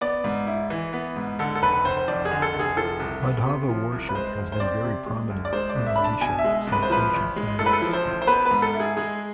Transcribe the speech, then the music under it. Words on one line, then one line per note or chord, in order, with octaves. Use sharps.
Madhava worship has been very prominent in Odisha since ancient times.
B3 D5
G#2
E4
E3
B3
G#2
D3 A4
A4
F1 B4
F1 C5
C5
F2 D5
G#4
D3
A4
F1
G#4
F3 A4
C2
B3
C3
F3
C2
B4
G#3 C5
D2
C5
C4 D5
C3
G#3
D2
D5
G#3 C5
D5
C2
E5
D4 B5
A5
B2 G#5
E5
G#3
C2
B4
C5
F3 B4
A1
G#3
A2 A4
B4
A4
F3
C5
A1
C5
B3 B4
B4
G#2
A4
E4
G#4
G#3 G#4